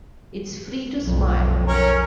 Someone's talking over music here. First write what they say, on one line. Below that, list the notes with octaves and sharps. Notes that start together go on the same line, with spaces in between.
It's free to smile.
B1 F2
C#4 A#4